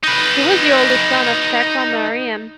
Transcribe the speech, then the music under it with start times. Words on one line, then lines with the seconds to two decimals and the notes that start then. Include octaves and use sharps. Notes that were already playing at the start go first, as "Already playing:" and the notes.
He was the older son of Takla Maryam.
0.03 D#4 B4